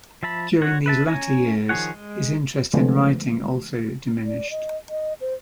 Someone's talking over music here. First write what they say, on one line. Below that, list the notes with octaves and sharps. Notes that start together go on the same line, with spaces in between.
During these latter years, his interest in writing also diminished.
F3 E5 A5 B5
F#4 C#5 F#5
B4 E5 A5
C#4 C#5 G#5 A#5
D#3 F3 G#4 C#5 F#5
G#3
D3 F3 G#3 A3 B3
D5
D#5
D#5
C5